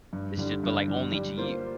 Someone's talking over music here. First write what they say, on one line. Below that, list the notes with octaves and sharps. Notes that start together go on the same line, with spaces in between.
It's just but, like, only to you.
G2
D3 G3
G2
D3 G3
G3
A#3 F4 C5